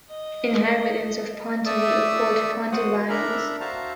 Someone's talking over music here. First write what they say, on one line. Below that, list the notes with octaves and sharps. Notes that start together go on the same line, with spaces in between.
Inhabitants of Pontivy are called "Pontivyens".
D#5
A3 A4 D5 E5 D#6 E6
F#4 C5 F#5 D#6
D4 A4 A#4 E5 A#5 B5
F#4 C5 E5 F5 A5 A#5